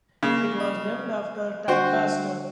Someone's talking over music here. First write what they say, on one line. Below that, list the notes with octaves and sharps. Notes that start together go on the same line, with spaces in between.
It was named after Tadcaster.
C#3 A#3
D#5
D3 G3 D4 F#4 C5 G5